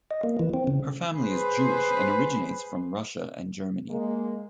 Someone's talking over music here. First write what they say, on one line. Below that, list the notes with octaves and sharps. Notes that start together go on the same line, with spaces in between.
Her family is Jewish and originates from Russia and Germany.
D#5
A#3
E3
C4
C#3
G#4 B4 C5
G#3 A#3